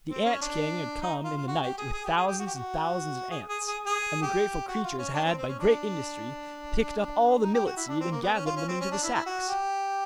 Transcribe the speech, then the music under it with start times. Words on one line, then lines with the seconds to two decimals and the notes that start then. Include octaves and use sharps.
The ant-king had come in the night with thousands and thousands of ants, and the grateful creatures had by great industry picked up all the millet-seed and gathered them into the sacks.
0.10 C4
0.25 C#4
0.41 D4
1.02 D#4
1.24 F4
1.36 F4
1.48 F#4
1.62 G4
1.78 G#4
1.93 G#4
2.05 G4
2.16 G#4
2.28 G4
2.39 F#4
2.47 G4
2.54 F#4
3.31 G#4
3.49 G#4
3.68 G#4
3.86 G#4
4.22 G4
4.68 F#4
4.83 F4
4.99 C#4
5.14 D4
5.25 C4
5.37 C4
5.48 C#4
5.59 D4
7.42 D#4
7.54 G4
7.66 F#4
7.77 E4
7.88 D4
8.00 C4
8.12 A#3
8.22 B3
8.34 C#4
8.46 F4
8.57 C#4
8.68 C4
8.81 C#4
8.92 D4
9.03 E4
9.14 E4
9.26 F#4
9.48 G4